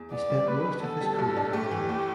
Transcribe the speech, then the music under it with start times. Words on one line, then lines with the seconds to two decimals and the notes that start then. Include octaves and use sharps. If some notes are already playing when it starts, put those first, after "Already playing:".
He spent most of his career at Ined.
Already playing: E2
0.11 B3 D5
0.30 G3
0.47 A2 B4
0.65 D4
0.82 B3 A4
1.01 G3
1.18 G2
1.36 D4
1.53 A3 G4
1.71 E3
1.89 A2